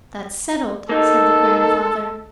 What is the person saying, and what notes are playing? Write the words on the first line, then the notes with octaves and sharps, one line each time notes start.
"That's settled," said the grandfather.
A#3 D#4 A4